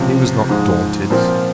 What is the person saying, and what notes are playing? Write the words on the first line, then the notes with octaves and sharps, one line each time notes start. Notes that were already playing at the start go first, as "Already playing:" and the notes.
He was not daunted.
Already playing: C#2 C3 F3
G#2 F3 G#3
A#2 F3 C4 F4